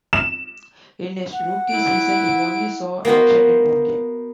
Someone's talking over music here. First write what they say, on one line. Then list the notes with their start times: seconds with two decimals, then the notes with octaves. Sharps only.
In his rookie season he only saw action in one game.
0.13 E7
1.32 F#5
1.69 E4 D7
3.05 A#3 B3 F#4 C5